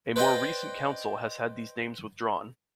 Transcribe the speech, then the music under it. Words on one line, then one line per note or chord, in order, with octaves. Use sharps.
A more recent Council has had these names withdrawn.
B4 C5 D5 D#5 G5